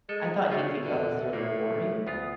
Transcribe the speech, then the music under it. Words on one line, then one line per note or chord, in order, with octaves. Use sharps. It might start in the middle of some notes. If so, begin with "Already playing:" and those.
I thought he'd think, "Oh, this is really boring."
G#3 A4
C#3 A3 A#3 F4 F#4
E2 D3 E5
A2 A#3
D2 B3 F4 D#6